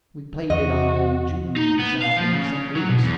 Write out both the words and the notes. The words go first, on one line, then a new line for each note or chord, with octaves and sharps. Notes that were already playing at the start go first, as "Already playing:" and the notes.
We played it on a julery-shop in St. Louis.
E2 F#4 D#5
D#4
B3
F5
F3
C#3
F#3
B2
E2